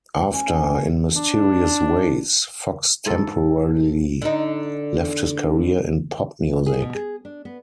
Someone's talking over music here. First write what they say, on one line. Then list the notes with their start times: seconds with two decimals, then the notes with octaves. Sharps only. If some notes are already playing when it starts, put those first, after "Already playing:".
After "In Mysterious Ways", Foxx temporarily left his career in pop music.
0.33 C#4
1.15 D4
3.06 G#2 A4
4.22 D3 D#4
6.66 G#4
6.82 B2
6.95 G#4
7.25 D4
7.45 B3